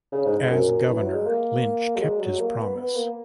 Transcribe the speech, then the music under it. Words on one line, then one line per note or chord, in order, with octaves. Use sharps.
As governor, Lynch kept his promise.
C#3
G#2
G#2
F#2
F#2
E3
F#3
G#3
A#3
F#3
G#3
F#3
A#3
B3
B3
A#3